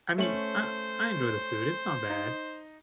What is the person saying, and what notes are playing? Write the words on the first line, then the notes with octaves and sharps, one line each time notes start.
I mean, I I enjoy the food, it's not bad,
A3 C#4 C5 F#7
D#4